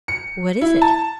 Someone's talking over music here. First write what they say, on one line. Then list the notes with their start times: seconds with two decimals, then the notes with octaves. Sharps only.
"What is it?"
0.08 C#7
0.61 E4
0.81 A5